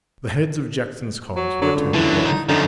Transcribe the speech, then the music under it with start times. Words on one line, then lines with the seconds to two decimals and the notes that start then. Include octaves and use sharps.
The heads of Jackson's columns were turned north.
1.36 F#3
1.62 D3 F#3
1.75 C#2
1.95 D3 E3 F#3
2.26 D#4
2.49 F#2 D3 F3 D#4